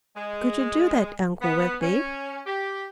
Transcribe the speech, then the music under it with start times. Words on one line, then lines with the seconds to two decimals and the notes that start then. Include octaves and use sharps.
"Could you do that, Uncle Wiggily?"
0.16 G#3
1.41 B3
1.81 C#4
2.46 G4